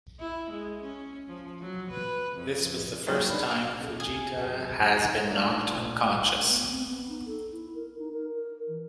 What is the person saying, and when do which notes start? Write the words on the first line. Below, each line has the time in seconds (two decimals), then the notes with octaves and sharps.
This was the first time Fujita has been knocked unconscious.
0.20 E4
0.51 G#3
0.83 C#4
1.28 F3
1.61 F#3
1.91 B4
2.36 F2
3.07 F#3 G3 A#3 D#4 G4 C5
3.30 D4 B4
3.80 C#3 A3
4.00 G#4
4.43 C3 F#3
5.30 A3 D4 D#4 F4 D5 E5
6.50 B3
6.71 C4
6.88 B3
7.09 D#4
7.26 A4
7.51 E4
7.74 A#4
7.99 D#4
8.13 A#4
8.34 A#4
8.68 E3